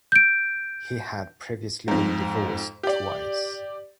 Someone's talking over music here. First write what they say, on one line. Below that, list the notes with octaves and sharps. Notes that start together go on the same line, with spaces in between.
He had previously been divorced twice.
G6 D7
F2 G#2
G4 D5